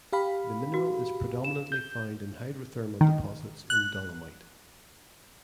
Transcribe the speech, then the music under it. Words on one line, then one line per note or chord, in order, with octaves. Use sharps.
The mineral is predominantly found in hydrothermal deposits in dolomite.
G4 F5 B5
F#4
E7
G6
D#3
F#6